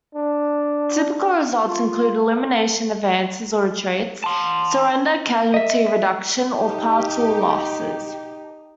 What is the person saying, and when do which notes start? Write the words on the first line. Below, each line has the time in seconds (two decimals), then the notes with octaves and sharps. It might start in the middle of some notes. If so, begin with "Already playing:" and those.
Typical results include elimination, advances or retreats, surrender, casualty reduction, or partial losses.
0.15 D4
1.67 F4
4.24 A5 C6
5.54 D#5 E5
6.55 D#4 G4